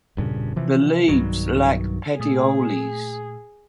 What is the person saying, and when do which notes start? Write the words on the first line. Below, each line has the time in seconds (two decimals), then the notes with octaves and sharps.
The leaves lack petioles.
0.17 E1 G2 A#2 C#3
0.56 C3 E3 F3
1.08 B1 G2 D#3 F#3
2.20 A#2 A3 G#4 D#6